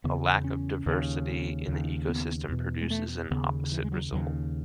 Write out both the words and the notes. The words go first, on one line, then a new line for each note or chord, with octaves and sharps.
A lack of diversity in the ecosystem produces an opposite result.
E2 C#3 B3
C#4
D#2 C#3
D#2 C#3
B3
E2 B2
G#3
A3
D#2 C#3 B3
E3
G#3
F#3
D#2 C#3 F#3